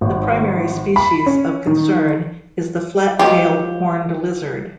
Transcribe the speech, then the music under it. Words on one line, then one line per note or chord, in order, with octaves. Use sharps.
The primary species of concern is the flat-tailed horned lizard.
G#1
B5
C#4
D#3
F3 F#3 G#3 B3 F4 G4